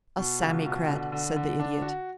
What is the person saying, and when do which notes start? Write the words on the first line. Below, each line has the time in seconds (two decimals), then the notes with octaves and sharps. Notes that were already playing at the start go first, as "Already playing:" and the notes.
"A Sammycrat," said the Idiot.
0.18 B2
0.42 C#2
0.66 B2
0.89 D3
1.12 D3
1.36 D3
1.60 D4
1.82 F#4